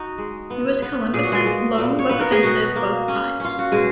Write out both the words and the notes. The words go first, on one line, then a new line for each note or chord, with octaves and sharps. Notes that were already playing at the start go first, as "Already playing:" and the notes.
He was Columbus' lone representative both times.
Already playing: D#4 F#4
G#3
B3
B3
A#2 G#4
F#4
G#3 G#4
G#3
A#2
C#5
B3 B4
A#4
G#4
B2 F#4
A#3
C#4
C#4 F4
F#4
B2 G#3 G#4